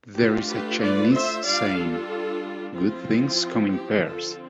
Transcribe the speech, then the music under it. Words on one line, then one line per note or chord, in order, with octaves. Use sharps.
There is a Chinese saying: "good things come in pairs".
A3 D4 F4 G4
G4 B4
B4 D5
C5 E5
G3 D4 F4 D5 F5
F4 A4
F3 C4 E4 F4
G4
D3 F3 C4 F4 A4